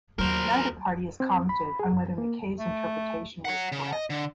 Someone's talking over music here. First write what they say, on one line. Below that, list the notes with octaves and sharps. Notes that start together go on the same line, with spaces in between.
Neither party has commented on whether McCay's interpretation was correct.
D#2 F#3 A#4 C5
C4
B5
G#4
F#2
A#3
A3
C#5 F#5
C#3
D#5
D3